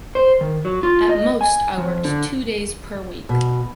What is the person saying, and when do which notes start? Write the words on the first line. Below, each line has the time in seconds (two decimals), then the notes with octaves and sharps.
At most, I worked two days per week.
0.15 C5
0.41 D#3
0.65 F#3
0.83 F4
1.09 D#5
1.41 G#5
1.78 F2
2.04 D3
3.29 B2